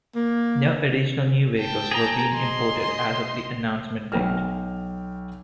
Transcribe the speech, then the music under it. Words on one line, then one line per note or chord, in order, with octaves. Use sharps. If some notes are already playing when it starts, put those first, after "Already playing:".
No additional new vehicles were being imported as of the announcement date.
A#3
G5 A5
G#4 A#5
D#5 C6
B1 G5 F6